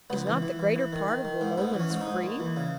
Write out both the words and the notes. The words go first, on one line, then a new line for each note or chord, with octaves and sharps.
Is not the greater part of the Lowlands free?
C#2 B3
E3
E3
E3
E3
D#3
D#3
D#3
G#2
G#2 B3
E3
C#4
G#2
D#4
G#2
D#2
E3
C#3